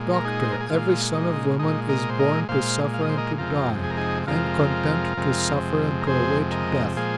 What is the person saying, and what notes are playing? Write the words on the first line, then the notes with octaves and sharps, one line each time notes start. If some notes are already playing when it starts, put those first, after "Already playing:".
"Doctor, every son of woman is born to suffer and to die; I am content to suffer and to await death."
Already playing: A#2 G#3
A#4
D#4 G#4
C5
A#4
G#4
A#2 G#3 F4
D#4
A#2 G#3 D#4
A#4 D#5
C5
A#4 D#5
A#2 G#3 C5 F5
F5
D#5
C5
A#4 D#5
F2 C3 G#3 F4 A#4
G#4
A#4
D#4 G#4
F2 C3 G#3 F4 A#4
F2 C3 G#3
A#4
F2 C3 G#3 G#4 C5
A#4 D#5
A#2 F3 G#3 G#4 C5